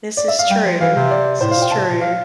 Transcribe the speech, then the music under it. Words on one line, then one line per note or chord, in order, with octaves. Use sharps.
This is true. This is true.
D5
E5
F5
G3 G5
F3
E3 F5
C3
D5
A2 C5
F5
A#2
G5
C3 A5
A#2
F5